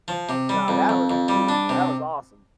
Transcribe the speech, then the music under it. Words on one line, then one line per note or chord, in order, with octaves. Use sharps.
No, that was beautiful, that was awesome.
F3
C3
G3
F2
F2
F2
G3
D4
C3